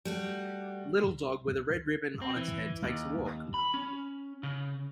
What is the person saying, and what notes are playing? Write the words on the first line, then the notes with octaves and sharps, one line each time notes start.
A little dog with a red ribbon on its head takes a walk.
G3 A3 F#4
C4
E3
D#2
B5
C#4
C#3